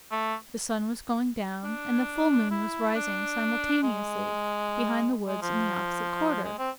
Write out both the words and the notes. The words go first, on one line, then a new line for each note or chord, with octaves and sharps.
The sun was going down, and the full moon was rising simultaneously behind the woods in the opposite quarter.
A3
D4
E4
D4
G#3
G#3
F3
G#3
C4